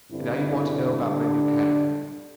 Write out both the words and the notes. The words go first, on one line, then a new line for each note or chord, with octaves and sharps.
And now you want to know about my new catacomb.
G2 D3 C4 E4
D3 G3 D4